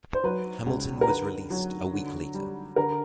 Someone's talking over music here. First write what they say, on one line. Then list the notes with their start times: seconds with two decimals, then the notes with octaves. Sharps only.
Hamilton was released a week later.
0.14 C5
0.24 F#3 B4
0.66 C#2
1.01 A#4
1.08 D3 B4
1.50 F#3
1.93 D3
2.34 G3
2.76 D3 A#4